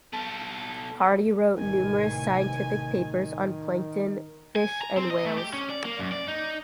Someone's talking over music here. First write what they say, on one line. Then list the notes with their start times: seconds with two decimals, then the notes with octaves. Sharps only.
Hardy wrote numerous scientific papers on plankton, fish and whales.
0.13 B2 A4
1.58 A1 A2 C3 D#3 G#5
4.56 G#5
4.82 A#5
4.97 C4
5.10 D#5
5.26 A3
5.38 G4
5.53 C#4
5.69 D5
5.85 A#3
5.99 F#2
6.12 D5
6.28 D#4